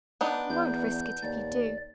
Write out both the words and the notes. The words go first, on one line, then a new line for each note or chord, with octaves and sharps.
'You won't risk it if you do.
B3 D4 D#4
E2 G6
D#2 D5